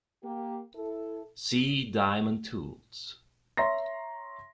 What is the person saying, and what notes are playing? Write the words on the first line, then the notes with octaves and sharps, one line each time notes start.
See diamond tools.
A#3 G4
E4 A4
C#5 E5 A#5 C6 A#6